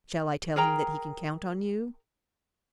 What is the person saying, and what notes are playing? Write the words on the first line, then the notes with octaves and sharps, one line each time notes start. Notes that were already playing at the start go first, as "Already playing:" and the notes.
"Shall I tell him that he can count on you?"
G#4 A#4 G5 A#5